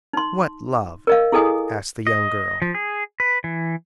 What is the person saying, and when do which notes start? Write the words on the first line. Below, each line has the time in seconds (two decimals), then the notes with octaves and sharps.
"What love?" asked the young girl.
0.13 D#4 C6
1.07 A#4 D#5 F5
1.32 E4 G#4 A4 D#5 G#5 D#6
2.07 D#5
2.62 F3
2.74 G#4
3.20 B4
3.44 E3